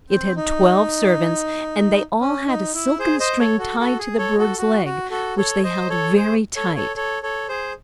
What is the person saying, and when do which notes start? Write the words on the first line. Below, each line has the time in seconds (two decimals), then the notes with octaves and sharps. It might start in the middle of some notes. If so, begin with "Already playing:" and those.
It had twelve servants, and they all had a silken string tied to the bird's leg which they held very tight.
0.10 C4
0.36 D#4
2.21 C#4
2.48 D#4
2.74 E4
2.99 G#4 C5
3.20 C5 D#5
3.39 A4 C#5
3.59 F#4 A4
3.80 F#4 A4
3.99 G#4
4.18 A4 C#5
4.38 F#4 A4
4.58 F#4
4.85 F#4
5.10 F#4 A4
5.37 A4 C#5
5.63 C5 D#5
5.90 A4 C#5
6.16 G#4 C5
6.56 A4 C#5
6.75 A4 C#5
6.96 A4 C#5
7.23 A4 C#5
7.49 G#4 C5